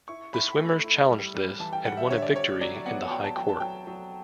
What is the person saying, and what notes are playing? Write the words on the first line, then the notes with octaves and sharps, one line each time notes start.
The swimmers challenged this and won a victory in the High Court.
E4 C#6
E4 B5
A3
E4
G3
G3
E3 A5
G5
G3 F#5
E5
D3 C#5
E5
D5
D3 C#5
F#3 D5
B3 F#5
F#3 G5
A5
F#3 G5
A5
F#3 G5
F#3